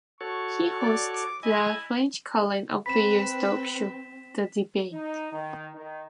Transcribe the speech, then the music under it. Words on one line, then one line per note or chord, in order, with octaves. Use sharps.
He hosts the French current affairs talk show "The Debate".
F#4 A4 C#5 C#6
D5
D6
E4 D#5 G#5
C4 B4 B5 B6 E7
D#4
D#3
D#3